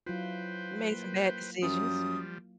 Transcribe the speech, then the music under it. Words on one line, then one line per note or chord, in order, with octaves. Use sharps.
Made some bad decisions.
F#3 E4 F4 B4 C5 G5
A#3
F#2 F3 G3 D#6